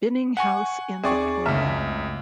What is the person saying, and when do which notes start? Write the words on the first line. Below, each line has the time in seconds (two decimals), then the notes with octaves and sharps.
Binning house in Victoria.
0.37 F#5 G#5 C#6
1.04 D#2 C4 G#4 D5 E5 C#6
1.46 C#2 F#2 C#3 A3 E5